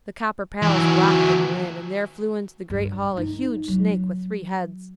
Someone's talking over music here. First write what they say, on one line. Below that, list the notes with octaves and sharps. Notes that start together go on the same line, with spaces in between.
The copper palace rocked in the wind, and there flew into the great hall a huge snake with three heads.
E3 F#3
G2
D#4
F#3